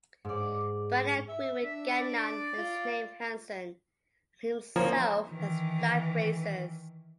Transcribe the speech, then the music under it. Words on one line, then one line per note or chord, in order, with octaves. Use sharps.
Bradley agreed with Gagnon and his naming Hansen and himself as flag-raisers.
G#2 D5
E5
D4 E5
D5
F4
F3 A#3 C4 C#5
D#3 E3